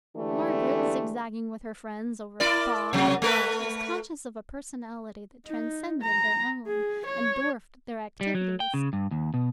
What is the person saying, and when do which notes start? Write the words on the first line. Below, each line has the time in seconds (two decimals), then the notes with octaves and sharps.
Margaret, zigzagging with her friends over Thought and Art, was conscious of a personality that transcended their own and dwarfed their activities.
0.17 D3 E3 G#3 A3 D4 G4
2.40 E4 A#4 D5
2.93 C3 F#3
3.22 A3 A#4 B4
5.46 D#4
6.02 A#5
6.66 G#4
7.06 C#5
8.21 G3
8.35 F#3
8.60 G5
8.74 C#3
8.93 G2
9.11 D#2
9.34 B2